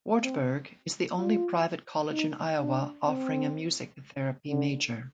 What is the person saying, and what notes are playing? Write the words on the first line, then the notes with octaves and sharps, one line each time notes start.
Wartburg is the only private college in Iowa offering a music therapy major.
C4
F4
D#4
D4
C4
D3